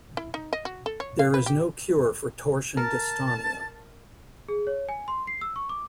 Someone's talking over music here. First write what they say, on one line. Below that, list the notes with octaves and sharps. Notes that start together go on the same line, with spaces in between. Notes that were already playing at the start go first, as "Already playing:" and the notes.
There is no cure for torsion dystonia.
E4
D#4
D#5
F#4
A4
C#5
F5
B4
G4
A#4 A5
G#4
C#5
G#5
C6
C7
E6
C#6
D6